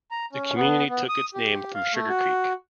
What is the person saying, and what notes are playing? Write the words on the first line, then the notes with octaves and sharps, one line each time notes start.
The community took its name from Sugar Creek.
A#5
C#4
B3
B3
D#6
G4
F5
A3
F#4